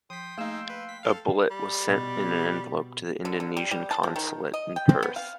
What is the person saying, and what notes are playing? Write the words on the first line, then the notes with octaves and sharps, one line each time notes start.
A bullet was sent in an envelope to the Indonesia consulate in Perth.
F3 G5 C6 D#6 B6
A3 A#3 D#4 G#4 F5 E6
B4
B6
A4 F5
G3
B2
D3
D3
G3
G3
A5
F3
D#3
D#5
G5
C4
B3
F5